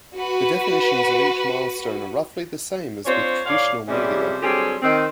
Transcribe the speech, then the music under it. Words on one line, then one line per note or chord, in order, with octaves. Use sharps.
The definitions of each milestone are roughly the same as with traditional media.
F#4 B4
C4 D4 F4 C5 C#5
A2 C#5 D5 F5
C3 E3 F3 G3 G#3 C#4
D3 F#3 G3 C4 G4 G#4
D#3 C4